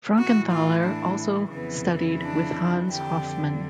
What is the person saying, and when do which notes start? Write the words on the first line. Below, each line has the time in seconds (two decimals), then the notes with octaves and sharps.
Frankenthaler also studied with Hans Hofmann.
0.17 A2 E3 F#4
0.51 F4
0.85 D4
1.53 F2 C#3 E3 B3
2.22 D4
2.90 F2 D3 G4